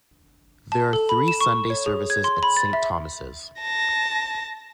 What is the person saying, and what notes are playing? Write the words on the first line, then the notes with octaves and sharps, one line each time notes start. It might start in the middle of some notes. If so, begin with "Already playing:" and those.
There are three Sunday services at St Thomas'.
A5
A4
B5
E7
C#6
C#5
G#4
G#6
C6
B5
A6
E5
A5 A#6